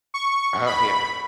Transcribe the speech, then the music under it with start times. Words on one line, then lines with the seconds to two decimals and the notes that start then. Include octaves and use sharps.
Oh, yeah.
0.14 C#6
0.67 B5